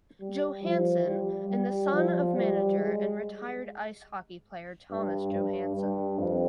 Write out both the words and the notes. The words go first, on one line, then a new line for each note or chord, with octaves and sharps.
Johansson in the son of manager and retired ice hockey player Thomas Johansson.
G3
F3
G3
G3
F3
G3
G#3
G2
G2
G2
F2